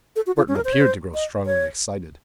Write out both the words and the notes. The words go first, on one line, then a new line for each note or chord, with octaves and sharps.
Burton appeared to grow strongly excited.
A4
F#4
F4
C#4
A#4
C5
C#5
C5
D#5
C#5